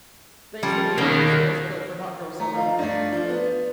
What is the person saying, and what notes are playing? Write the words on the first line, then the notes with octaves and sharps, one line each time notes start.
Thanksgiving and Christmas, but for hot girl summer.
F3 G3 C#4
B2 D#3 A#3 C#4
A3 A#5
F3 D#4 F5
G2 A3 D5
F3
B3